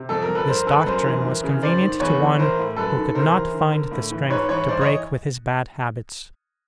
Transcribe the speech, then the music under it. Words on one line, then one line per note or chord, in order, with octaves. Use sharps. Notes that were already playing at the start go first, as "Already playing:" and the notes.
This doctrine was convenient to one who could not find the strength to break with his bad habits.
Already playing: C3
F2 A4
A#4
F2
A4 B4
G2 A#4 C5
G2 A4 B4
F#2 A#4 C5
E3
E3
C#3
G2 C5 D5
D#3
E2 B4 C#5
E3
E3 A#4 C5
A2
F#2 A4 B4
D#3
C3 A#4 C5
E3
D3
D3
A2
E3
G#2 B4 C#5
E3 B4 C#5
G2 C5 D5
C#5 D#5